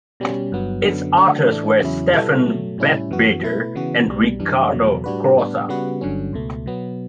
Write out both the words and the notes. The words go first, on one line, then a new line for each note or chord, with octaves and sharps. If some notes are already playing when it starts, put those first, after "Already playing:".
Its authors were Stephane Betbeder and Riccardo Crosa.
B2 G3 C#4
G1 G2 F#3 B3
F#2 D3 F#3 B3
D3 F#3 A3 D4
A2 E3 A3 D4
E2 C#3 F#3 C#4 E4
B2 G3 B3 E4 A4
B2 F#3 A3
A2 G3 C#4 E4
F#2 E3 B3 F#4
B2 A3 E4 B4
C#3 E3 B3 F#4
B1 B2 G3
F#2 E3 G3 D4
E2 B2 F#3
A2 G3 D4 F#4 B4
A2 G3 B3 D4
C#3 G3 B3 F#4 B4
G1 G2 D3 F#3 C#4
C#2 B2 A3
B2 F#3 B3